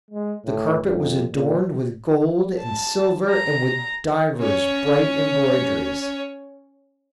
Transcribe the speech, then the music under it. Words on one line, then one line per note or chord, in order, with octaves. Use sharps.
The carpet was adorned with gold and silver and with divers bright embroiderings.
G#3
A2
F2
A#2
A5
A#5
C#4 C#5